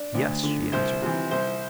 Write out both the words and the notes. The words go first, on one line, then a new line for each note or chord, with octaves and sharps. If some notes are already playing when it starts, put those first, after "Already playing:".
"Yes," she answered.
Already playing: D4
D2
D3
C2 C5
C3 E3
C2 C5